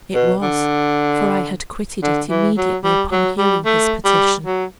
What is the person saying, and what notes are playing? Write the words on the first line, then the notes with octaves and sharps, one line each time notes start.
It was, for I had quitted it immediately upon hearing his petition.
B2
D3
D3
E3
F#3
G3
F#3
G3
A3
G3
F#3